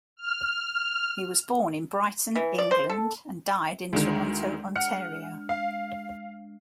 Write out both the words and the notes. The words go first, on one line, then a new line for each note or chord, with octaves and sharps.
He was born in Brighton, England and died in Toronto, Ontario.
F6
E3
D5
C5
A4
D2 D#3 G#3 D4
F#5 F6 C#7
F5